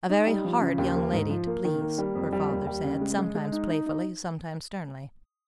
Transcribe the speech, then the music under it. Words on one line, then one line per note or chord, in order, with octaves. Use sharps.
A very hard young lady to please, her father said, sometimes playfully, sometimes sternly.
D#4
G3
F3
C#3
D#2
A#3
G#2
F3
A#3
D#3
A#3
G3
F2
G3
D#2
G3
C#3
G#3
G#3
G#3
D#4
D#4
D#4